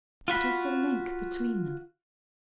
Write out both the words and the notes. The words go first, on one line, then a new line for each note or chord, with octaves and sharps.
What is the link between them?
F4 F#4 B5